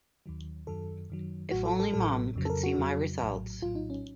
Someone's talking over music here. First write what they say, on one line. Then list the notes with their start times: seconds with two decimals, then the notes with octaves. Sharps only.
If only mum could see my results.
0.26 D#2 D#3 F#3
0.67 F#2 D#3 F#3 A4
1.10 F#2 D#3 F#3
1.51 A1 A2 F#3 F#4
1.65 A4
1.80 A4
1.93 A1 A2 F#3 A4
2.35 F2 C#3 F#3
2.45 A4
2.50 A#4
2.63 F#4
2.78 F2 C#3 F#3
3.20 A#1 A2 F#3
3.61 A#1 A2 F#3 F4
3.75 D#4
3.90 C#4